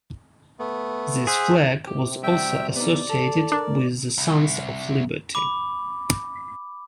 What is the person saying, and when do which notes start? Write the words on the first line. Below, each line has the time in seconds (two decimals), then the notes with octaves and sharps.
This flag was also associated with the Sons of Liberty.
0.59 A3 B3
1.27 G#4 C5 E5 F#5
1.87 C3 G4
2.23 G3 F#4 E5 G5
2.76 B3 D#4 D5
3.10 A4
3.52 D4 A#4
4.18 C2
5.35 B5 D6